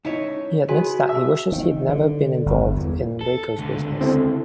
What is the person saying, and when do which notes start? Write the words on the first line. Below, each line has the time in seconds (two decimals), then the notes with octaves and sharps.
He admits that he wishes he'd never been involved in Reiko's business.
0.05 C#2 D#4 E4 C#5 A5
0.69 F#4 G#4 B4 D#5 G#5
1.09 E5
1.52 D#3
1.89 D3
2.46 G1
2.76 E2
3.21 A4
3.58 C#2 D3
4.01 C4 E4 A4